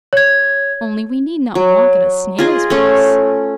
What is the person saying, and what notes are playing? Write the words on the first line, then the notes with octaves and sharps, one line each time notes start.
Only we need not walk at a snail's' pace.'
C#5 G#6
F#3
F4 G#4 D#5
A3 C#4